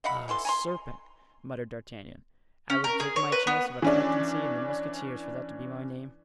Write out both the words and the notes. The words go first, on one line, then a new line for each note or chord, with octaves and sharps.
"Ah! serpent," muttered D'Artagnan, "I would give my chance of a captaincy in the mousquetaires for that to be my name."
D#5 F5 F#5 B5
B2 E3 A4 C6
G#5 A#5 C6
C#4
A#4
G#4
C#5
B4
B3
E3 C#4 D4